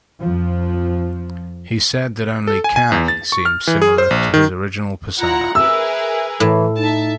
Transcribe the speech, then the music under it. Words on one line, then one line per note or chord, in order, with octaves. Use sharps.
He said that only Kang seemed similar to his original persona.
F2 F3
A4
G#5
G#5
E2
A6
C#6
F6
E3
G#4
C5
A#1
D#3
E4 F4 F#5 A#5
G#4 A#4 B4 E5 E6
A2 E3
D#4 E5 A5